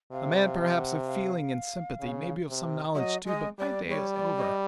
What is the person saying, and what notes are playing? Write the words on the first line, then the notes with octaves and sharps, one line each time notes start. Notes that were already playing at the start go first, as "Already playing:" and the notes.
A man perhaps of feeling and sympathy, maybe of some knowledge too, but my day is over.
C3 F5
F5
F#5
F5
C#3
C3
F#3 D#5 E5
G#3 D#5
G3 D5
G3 C#5
D5
D#5